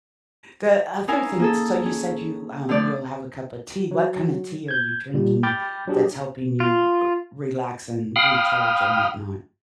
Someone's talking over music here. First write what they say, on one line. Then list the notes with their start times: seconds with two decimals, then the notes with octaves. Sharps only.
the other thing s so you said you um, you'll have a cup of tea. What kinda tea are you drinking that's helping you u relax and recharge and whatnot?
1.08 C#4 D#4 E4 A#4 F5 G#5
1.39 A#3 G#4 A4
1.86 C#4
2.69 D3 F3 A3 D5 F#6
3.91 F#3
4.68 G6 G#6
5.14 A#2 G3 G4
5.43 G5 B5 D6 F6 G6 A6
5.88 F#3 D4 G4 G#4
6.60 F4
8.16 F5 G5 B5 D#6 F6